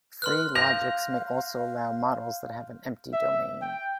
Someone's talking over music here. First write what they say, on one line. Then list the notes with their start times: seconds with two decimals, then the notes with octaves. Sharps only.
Free logics may also allow models that have an empty domain.
0.22 B4 C6 F6 F#6
0.55 F5 G6 A#6 F7
3.13 E5
3.62 G5